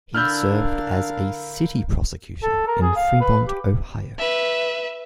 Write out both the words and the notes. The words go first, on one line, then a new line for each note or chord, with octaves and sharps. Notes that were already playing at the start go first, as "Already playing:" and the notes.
He served as a city prosecutor in Fremont, Ohio.
D3 D4 E4 A#4 F5 F6 G6
A4
A#4
G#4
F5
B4
G4
B4 E5